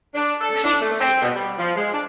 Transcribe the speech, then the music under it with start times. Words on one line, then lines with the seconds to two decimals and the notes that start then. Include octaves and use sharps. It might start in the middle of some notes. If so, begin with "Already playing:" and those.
Right, right. Their
0.14 D4
0.41 A4
0.64 D4
0.81 A3
1.00 C4
1.21 B2
1.33 G3
1.58 F3
1.75 G#3
1.93 D4